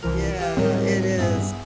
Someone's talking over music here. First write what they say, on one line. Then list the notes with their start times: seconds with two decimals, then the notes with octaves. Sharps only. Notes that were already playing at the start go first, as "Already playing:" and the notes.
Yeah, it is.
0.02 C2 E3 F3 A#4
0.39 E3 F4 G4
0.57 C#2 F#2 A2 D#3 G3 C4
1.18 G2 B3 E4 G#4